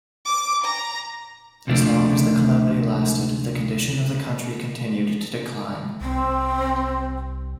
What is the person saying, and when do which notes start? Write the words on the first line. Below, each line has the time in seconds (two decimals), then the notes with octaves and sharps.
As long as the calamity lasted, the condition of the country continued to decline.
0.25 D6
0.64 A#5
1.67 D2 C3 F3 A3 D4
6.01 C2 C4